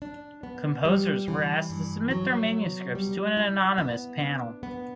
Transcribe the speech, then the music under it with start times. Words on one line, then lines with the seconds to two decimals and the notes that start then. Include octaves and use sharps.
Composers were asked to submit their manuscripts to an anonymous panel.
0.02 D4
0.43 B3
0.85 G3
1.28 E3
1.70 G2
2.11 F#3
2.53 B3
2.95 G3
3.37 E4
3.78 B3
4.20 D4
4.63 B3